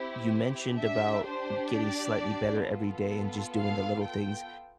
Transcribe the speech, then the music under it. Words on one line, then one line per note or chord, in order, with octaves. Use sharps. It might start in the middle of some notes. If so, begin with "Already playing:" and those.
you mentioned about getting slightly better every day and just doing the little things,
Already playing: C4 E4 G4
D4 G4 E5
C5
D5
B3 F4 A4
F5
G5